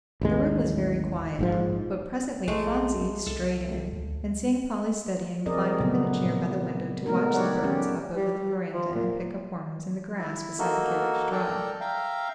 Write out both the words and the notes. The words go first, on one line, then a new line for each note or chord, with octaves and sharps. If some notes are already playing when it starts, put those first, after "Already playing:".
The room was very quiet; but presently Phronsie strayed in, and seeing Polly studying, climbed up in a chair by the window to watch the birds hop over the veranda and pick up worms in the grass beside the carriage drive.
A1 D#2 G#3
A#1 G#2 F3
A#1 G#3 A3
C2 A4
D2
F3 C4 G#4 A#4 D5 D#5
A#2 C#3 F#3 A3 B3
A#2
G#3 A3 B3 D#4 F#4 A#4
F#3 G4 C#5 D5 F#5
G3 C#4 G4
G3
F3
A#2
E4
A#3 D#4 F#4 A4 A#4
A4 A#4 D5 G5 A5 A#5
E5 F5 G5 A#5